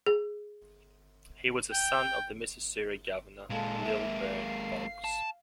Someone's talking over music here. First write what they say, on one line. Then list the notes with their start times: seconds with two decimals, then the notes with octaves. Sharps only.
He was a son of the Missouri Governor Lilburn Boggs.
0.06 G#4
1.71 G5
3.50 A#2 G#3 A4 F5
3.82 G#3 A#3 E5
4.19 F5 C7
5.04 A5